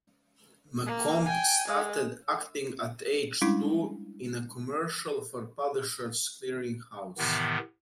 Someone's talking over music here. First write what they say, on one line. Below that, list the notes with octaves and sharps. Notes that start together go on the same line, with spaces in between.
McComb started acting at age two in a commercial for Publisher's Clearing House.
A#3
G5 G#5
G#3
G3 G#3 C#4 D4 E4
A2 C3 D#3 E3 B3